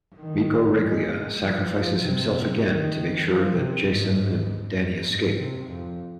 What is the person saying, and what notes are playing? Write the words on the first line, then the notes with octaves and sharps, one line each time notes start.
Miko Reglia sacrifices himself again to make sure that Jacen and Danni escape.
D#3
G#3
F3
F3
C3
D#3
F3
C3
G#2
G#2
C3
F2